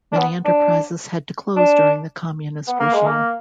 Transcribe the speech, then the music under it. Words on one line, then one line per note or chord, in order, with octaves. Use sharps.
Many enterprises had to close during the communist regime.
D4
B3
D4
D4
B3
A#3
G#3
A#3